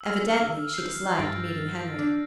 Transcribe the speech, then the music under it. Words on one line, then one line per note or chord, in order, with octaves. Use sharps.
Evidently she disliked meeting Henry.
E6 F6
G6 C7
G2 A6 A#6 D7
D4